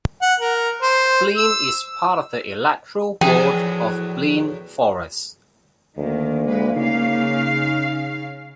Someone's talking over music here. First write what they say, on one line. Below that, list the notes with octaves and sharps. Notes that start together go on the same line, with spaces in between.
Blean is part of the electoral ward of Blean Forest.
F#5
A#4
C5
E6
E2 A2 F3 F#3 G#4 G5
D2 D#3 A#3
G#3 B4
C#3 D#4 F5